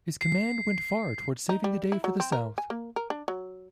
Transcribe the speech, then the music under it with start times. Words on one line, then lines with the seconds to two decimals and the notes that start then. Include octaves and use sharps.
His command went far toward saving the day for the South.
0.21 C7
1.49 D#4
1.64 G3
1.92 E4
2.04 F#3
2.20 C4
2.32 A#4
2.58 G#5
2.70 A#3
2.96 A#4
3.10 D4
3.28 F#3